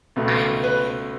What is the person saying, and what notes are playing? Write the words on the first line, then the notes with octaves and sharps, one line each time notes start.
I mean,
C#2 B2 A3
B4